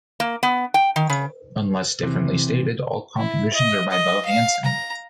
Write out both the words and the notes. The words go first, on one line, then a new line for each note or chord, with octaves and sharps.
Unless differently stated, all compositions are by Bo Hansson.
A#3
B3
G5
D#3
C#3
C3 E3
E4
D#5
D#5
F5
A#5